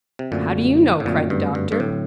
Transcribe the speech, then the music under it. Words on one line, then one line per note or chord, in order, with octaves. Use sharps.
"How do you know?" cried the doctor.
C3
F#2 A#2 D3 A3 C4 F#4
A2
F#2 A#2 D3 A3 C4 F#4
G2
G2
G2
A2 D3 F#3 C4